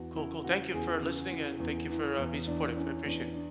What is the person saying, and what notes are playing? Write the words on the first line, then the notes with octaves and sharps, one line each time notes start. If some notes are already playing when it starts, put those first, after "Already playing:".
Cool, cool, thank you for listening, and thank you for, uh, being supportive, I appreciate it.
Already playing: E2 F#4
C#3 E4
C#3 F#4
E2 G#4
C#3
E3
E2
E3
E2
E2 D4
E3 C#4
E2 D4
D4